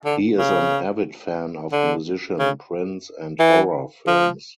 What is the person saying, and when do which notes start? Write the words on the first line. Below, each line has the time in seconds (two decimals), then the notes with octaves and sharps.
He is an avid fan of musician Prince and horror films.
0.05 D3
0.38 C#3
1.72 D3
2.39 C#3
3.40 E3
4.07 F3